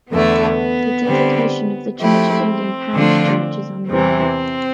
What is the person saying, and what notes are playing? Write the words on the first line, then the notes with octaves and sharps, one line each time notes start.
The dedication of the Church of England parish church is unknown.
E2 D3 A3 B3 E4
D3 G3 C4
F3 A3 C4 E4 G4
D3 F3 A3 D4 F4
E2 C3 E3 C4